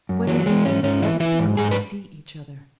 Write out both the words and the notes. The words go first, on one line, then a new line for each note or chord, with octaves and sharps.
When we do meet let us be glad to see each other.
F#2
E3 F#3
E3 G#3
G#2 C#4
G#2 C#4
E3 E4
E3 E4
G#2
G#2 G#4
B4